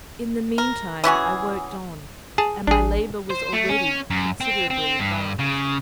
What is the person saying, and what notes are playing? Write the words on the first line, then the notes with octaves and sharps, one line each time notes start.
In the mean time I worked on, and my labour was already considerably advanced.
A#4
E3 C#4 F#4 G#4
G#4 A5
A1 D4 G#4
C5
A3
C#4
F#2
C4
C4
G2
C#3